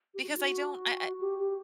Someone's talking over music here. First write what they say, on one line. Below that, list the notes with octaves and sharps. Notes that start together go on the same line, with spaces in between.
because I don't I
G4
F#4
D#4
F#4
G4
G4